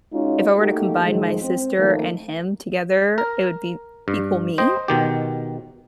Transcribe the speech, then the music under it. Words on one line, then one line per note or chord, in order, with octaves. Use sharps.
if I were to combine my sister and him together, it would be equal me,
G#3 C#4 D#4 F4 F#4
A3 A#3 D#4 F#4 G4
A2 D#3 F3 G#3
C4
D#3 F3 A3 A#3
A#4
G2
C5 D#5 G5
B2 D#3 G4